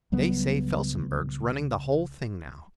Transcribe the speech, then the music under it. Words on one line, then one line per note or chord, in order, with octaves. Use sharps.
They say Felsenburgh's running the whole thing now.
C#2 F#3 G3 B3